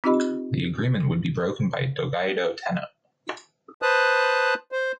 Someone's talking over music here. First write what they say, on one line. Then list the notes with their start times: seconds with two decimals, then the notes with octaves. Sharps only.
The agreement would be broken by Go-Daigo Tennō.
0.04 C4 D#4 F4 G4 D#5 B5
3.82 B4 C5 A5 D#6 F#6
4.72 C5